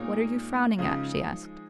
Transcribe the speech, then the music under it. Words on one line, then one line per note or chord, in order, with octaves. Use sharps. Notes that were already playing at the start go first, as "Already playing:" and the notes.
"What are you frowning at?" she asked.
Already playing: A#2 G#3 A#3 D#4 A#4 C#5
C#3 F3 G#3 D#4 G#4